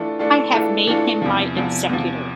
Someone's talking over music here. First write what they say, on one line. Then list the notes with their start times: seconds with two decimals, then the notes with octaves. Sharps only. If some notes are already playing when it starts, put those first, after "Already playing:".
I have made him my executor.
Already playing: E3 A3 D4 F4 A4
0.19 E3 A3 D4 F4 A4
0.53 E3 A3 D4 F4 A4
0.87 E3 A3 D4 F4 A4
1.22 E2 C3 F3
1.56 E2 C3 F3
1.89 E2 C3 F3